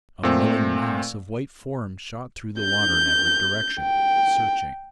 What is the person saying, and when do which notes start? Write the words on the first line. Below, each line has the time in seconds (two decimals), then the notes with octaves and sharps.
A milling mass of white forms shot through the water in every direction, searching.
0.23 A#2 A3 C4
2.60 G6
3.81 G5